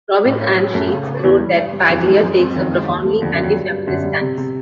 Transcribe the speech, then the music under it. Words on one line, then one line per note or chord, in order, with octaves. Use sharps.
Robin Ann Sheets wrote that Paglia takes a profoundly anti-feminist stance.
A2
C#4
F#3
F#2 A3
C#3
C#3
E2 E3
G3
G2
G2
F2 E3
G#3
F#2
C4
F2 D#3
G#3
D#2
A3
F2 D3
F#2
F#3
F2
G2
G2
F#2 D3
G3
C3
C3